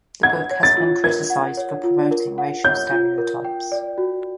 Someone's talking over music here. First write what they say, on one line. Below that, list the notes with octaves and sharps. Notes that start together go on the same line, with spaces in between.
The book has been criticized for promoting racial stereotypes.
F#5 G#6
C#5
A6
F4
A#4 G#6
F#5
C#5
F4
A#4
F#5
C#5 G6
F4
A#4
G5
D5
F#4